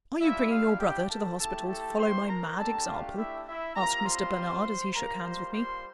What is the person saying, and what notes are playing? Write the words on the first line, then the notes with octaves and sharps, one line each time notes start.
"Are you bringing your brother to the hospital to follow my mad example?" asked Mr. Bernard, as he shook hands with me.
G3 D4 E4 F4 E5
F4 F5
G4 G5
A4 A5
A3 E4 G4 A4 A5
A4 A5
C5 C6
A#4 A#5
A3 D4 G4 A4 A5
F4 F5
E4 E5
E4 E5
G3 C4 F4 A#4 A#5
C5 C6
G3 A#3 F4 A#4 A#5
C5 C6
C5 C6